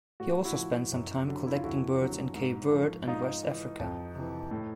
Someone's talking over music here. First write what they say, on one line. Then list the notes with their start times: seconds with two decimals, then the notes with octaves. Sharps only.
He also spent some time collecting birds in Cape Verde and West Africa.
0.20 A2 F#4
0.45 E4 F#4
0.56 F3
0.92 F#2
1.28 D3 F#3
1.47 E4
1.55 F4
1.63 F2 E4 F#4
2.00 D3 F#3
2.35 G#2
2.71 F3
3.07 G#2 D#4 F4
3.43 E3
3.79 F2
4.15 C3 E3
4.51 A2